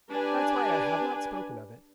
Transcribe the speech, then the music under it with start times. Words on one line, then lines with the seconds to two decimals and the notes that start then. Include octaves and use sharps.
That's why I had not spoken of it.
0.11 D4 G4 B4 G#5